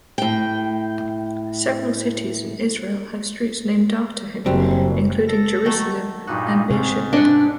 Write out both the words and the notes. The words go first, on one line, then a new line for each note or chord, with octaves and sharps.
Several cities in Israel have streets named after him, including Jerusalem and Beersheba.
A2 G5
F#1 F#3 G3 C4
A4 A#6
D#3 F#3 A3
G2 A#2 D#4 F#4
G#2 C3 C#4
D4 D#5 F#5